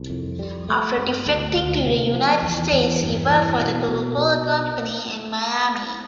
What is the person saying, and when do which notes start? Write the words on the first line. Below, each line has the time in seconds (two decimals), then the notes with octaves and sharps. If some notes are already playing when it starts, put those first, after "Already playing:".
After defecting to the United States, he worked for The Coca-Cola Company in Miami.
Already playing: C2
0.10 F2
0.39 G3
0.69 A3
0.98 G2
1.26 D2
1.55 D2
1.85 C3
2.14 F3
2.43 E2
2.72 E2
3.01 G2
3.30 E3
3.59 B2
3.88 B2
4.17 B2